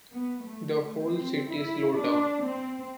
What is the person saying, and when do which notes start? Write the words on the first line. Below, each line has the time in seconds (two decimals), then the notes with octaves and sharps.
The whole city slowed down.
0.13 B3
0.44 A3
0.75 A3
1.05 C4
1.51 E4
1.98 D4
2.43 C4